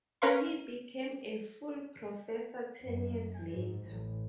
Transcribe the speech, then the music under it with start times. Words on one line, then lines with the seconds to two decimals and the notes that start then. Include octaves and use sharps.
He became a full professor ten years later.
0.22 C#4 A#4 B4 F5 C6 C#6
2.82 F#2
3.51 G#2
3.87 A1